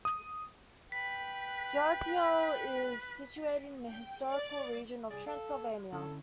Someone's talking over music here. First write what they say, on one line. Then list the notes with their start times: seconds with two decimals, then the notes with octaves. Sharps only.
Geoagiu is situated in the historical region of Transylvania.
0.05 D#6
0.92 B4 G5 B6
3.89 G5
4.28 D5
5.11 C2 G#4 D5
5.27 A4 F5
5.92 D3 C#4 E4 A4